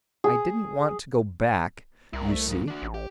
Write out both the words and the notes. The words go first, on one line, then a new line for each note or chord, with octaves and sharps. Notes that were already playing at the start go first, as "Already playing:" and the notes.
I didn't want to go back, you see....
G#4
C2 E4 A#4
A3
G#2 F3
D4 F#4
A1
G4